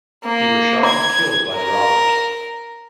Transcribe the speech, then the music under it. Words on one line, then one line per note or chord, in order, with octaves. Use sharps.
He was shot and killed by the robbers.
A#3
G#6
A#4